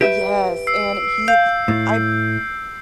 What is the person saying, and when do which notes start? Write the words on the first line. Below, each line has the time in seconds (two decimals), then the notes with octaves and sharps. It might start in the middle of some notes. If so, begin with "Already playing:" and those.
Y yes, and he h I
0.01 G4 B4 E5 D7
0.67 E6 C7
1.28 F5 G6
1.68 A2